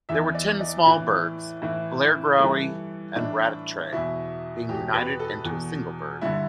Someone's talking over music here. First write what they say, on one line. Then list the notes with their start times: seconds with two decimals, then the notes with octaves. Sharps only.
There were ten small burghs: Blairgowrie and Rattray being united into a single burgh.
0.09 E2 E3 E5
0.35 D5
0.60 D5
0.86 A2 E3
1.62 A2 E3
2.38 G2 E3 A4
3.15 A2 E3 D4
3.92 E2 B2 E4
4.69 E2 B2 G4
4.94 B4
5.20 A4
5.45 E2 B2
6.21 G2 D3 E4